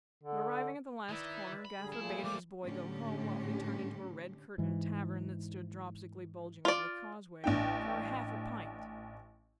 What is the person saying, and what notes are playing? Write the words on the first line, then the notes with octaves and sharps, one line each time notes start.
But, arriving at the last corner, Gaffer bade his boy go home while he turned into a red-curtained tavern, that stood dropsically bulging over the causeway, 'for a half-a-pint.'
D3
D#3 E4 B4 D5 E5
B5
D3 G3 G#4
A#2 F3 A3 E4
E3 G3 D6
A2 D3 C#4 G4
G#2 E3
F4 D5
A1 D4 G5